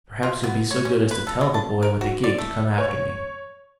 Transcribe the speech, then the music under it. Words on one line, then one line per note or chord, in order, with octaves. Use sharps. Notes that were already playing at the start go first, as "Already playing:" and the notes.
Perhaps you'll be so good as to tell the boy with the gig to come after me?
F4
B3
C#5
C#4
B4
A4
F#3
A5
A#4
F#4
D5
A3
C#5